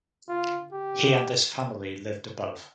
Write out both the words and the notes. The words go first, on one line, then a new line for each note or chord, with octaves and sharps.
He and his family lived above.
F4
G4